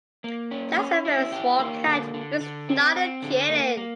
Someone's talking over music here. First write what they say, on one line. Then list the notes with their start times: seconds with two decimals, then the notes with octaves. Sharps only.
That's a very small cat, but it's not a kitten.
0.24 A#3
0.51 C#4
0.78 C#4
1.05 E4
1.32 G4
1.59 A#3
1.86 D3
2.14 D3
2.41 D3
2.69 C4
2.96 C4
3.22 D3
3.49 A#3
3.77 A#3